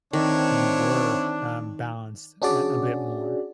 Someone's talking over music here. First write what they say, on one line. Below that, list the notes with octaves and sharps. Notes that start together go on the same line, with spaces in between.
you were, uh, balanced a a bit more?
D3 D#3 C4 D4 E4 C#5
C#4 D4 F#4 G#4 D5